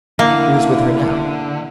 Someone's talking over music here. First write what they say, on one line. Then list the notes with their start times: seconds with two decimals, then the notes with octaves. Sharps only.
"Who is with her now?"
0.19 D3 A#3 E4